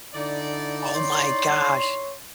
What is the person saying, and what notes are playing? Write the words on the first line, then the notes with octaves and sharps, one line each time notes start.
Oh my gosh.
D3 D#4 E4 D5
C#5 C6